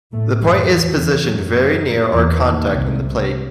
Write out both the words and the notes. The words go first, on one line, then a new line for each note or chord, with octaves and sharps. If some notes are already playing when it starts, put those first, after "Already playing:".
The point is positioned very near or contacting the plate.
A2 A3
F#2 F#3
E2 E3
E2 E3
F#2 F#3
E2 E3
D#2 D#3
C2 C3